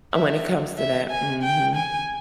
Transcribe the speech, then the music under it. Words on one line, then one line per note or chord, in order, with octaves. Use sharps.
and when it comes to that, mhm.
E5
E5
G#5
G5
G#5